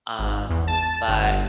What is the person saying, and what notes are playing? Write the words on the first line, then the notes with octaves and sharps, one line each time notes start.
um, but
G#1
E2
A5
G1